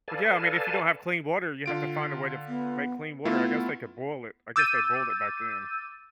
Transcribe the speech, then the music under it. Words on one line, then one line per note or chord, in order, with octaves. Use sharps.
But, yeah, I mean, if you don't have clean water, you have to find a way to f make clean water. I guess they could boil it. I guess they boiled it back then.
A4 B4 D5 F5 G#5 A5
D3 F4 D7
B3
A3 B3 E4 F4
D6 E6 G6 A6 D#7